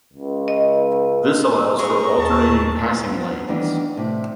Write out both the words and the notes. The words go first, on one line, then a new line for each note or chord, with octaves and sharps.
This allows for alternating passing lanes.
C#2
D#5
G#4 A#4 D#5 C#6
D#2 A5
B3
D#3 E3 G3 B3 D4
A2 C3